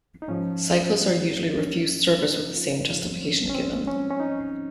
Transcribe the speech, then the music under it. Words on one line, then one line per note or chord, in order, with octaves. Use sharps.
Cyclists are usually refused service with the same justification given.
D#4
G#2 F3 C#4
C#4
D#4
F4
G#2 F3 F4
C4
C#4
C#4
C4
C#4
C#4
D#4